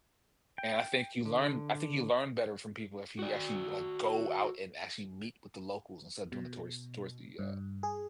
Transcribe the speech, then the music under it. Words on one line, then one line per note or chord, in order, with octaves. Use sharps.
And I think you learn I think you learn better from people if you actually, like, go out and actually meet with the locals instead of doing the tourist touristy, uh,
G5
D3
F#4 D5
B2
G2
G#4